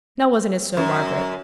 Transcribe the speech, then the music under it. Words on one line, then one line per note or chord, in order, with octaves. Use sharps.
Now wasn't it so, Margaret?'
F#2